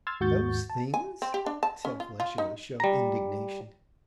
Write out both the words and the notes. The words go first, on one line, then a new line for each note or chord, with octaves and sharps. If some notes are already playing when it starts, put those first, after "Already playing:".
"Those things!" said Felicia with a show of indignation.
C6 E6 F6 G#6 A6
D#2 G#2 F#4 C#6 G6 A6
A5
G#5
C4
G4
D4
A5
C#4
F4
F4
D#4
G3 A#5